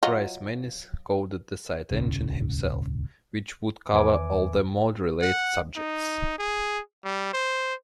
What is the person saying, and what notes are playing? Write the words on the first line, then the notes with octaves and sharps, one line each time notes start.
Reismanis coded the site engine himself, which would cover all of the mod-related subjects.
F#3 F4 D#5
D#1 G#1 C#2 C#3
E2 D#3 B4 E5 G#5 D6
F#5
D#4
G#4
G3
C5